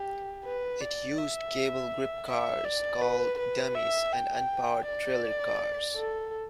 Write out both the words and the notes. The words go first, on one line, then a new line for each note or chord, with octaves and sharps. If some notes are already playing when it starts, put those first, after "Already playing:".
It used cable grip cars called "dummies" and un-powered trailer cars.
Already playing: G4
B4
D5
E5
E5
D5
B4
B4
E5
G5
D5
A4